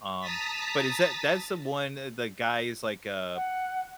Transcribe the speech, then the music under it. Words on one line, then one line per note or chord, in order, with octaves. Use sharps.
Um, but is that that is the one, uh, the guy is like, uh
A5 A#5 D#6 A6 B6
F#5